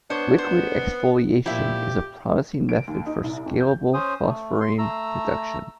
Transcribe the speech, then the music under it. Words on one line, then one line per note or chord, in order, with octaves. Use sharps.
Liquid exfoliation is a promising method for scalable phosphorene production.
B3 D4 C5 C#5
C5
A#2 F3 E4 G4 E5
D7
D#2
D#4
C2
F2
G6
C#4 C5 D#6
A3
C6
A3 A#5 E6